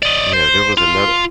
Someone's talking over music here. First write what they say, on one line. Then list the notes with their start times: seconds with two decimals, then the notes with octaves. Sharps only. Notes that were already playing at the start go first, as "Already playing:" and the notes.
yeah, there was another
0.03 D5 D#5
0.33 C5
0.78 F4